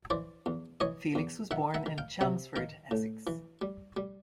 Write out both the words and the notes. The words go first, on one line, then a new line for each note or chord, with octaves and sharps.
Felix was born in Chelmsford, Essex.
E3 C5 D5
E2
E3 C#5 D#5
E2
D#3 E5 F#5
E5 F#5
D#3
F5 G5
C3 E5 F#5
D#3 F5 G5
A2
E3
G3
G3